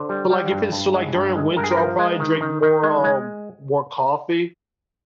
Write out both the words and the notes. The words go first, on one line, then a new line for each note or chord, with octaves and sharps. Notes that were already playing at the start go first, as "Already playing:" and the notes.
but, like, if it's still, like, during winter, I'll probably drink more, um, more coffee
Already playing: D3 C5
G3
G3
G2
G2
G#3
G2
G#3
G2 A#4
G#4
A#4
F3
G#3
D#3
D#3
D#3
G#3
G#3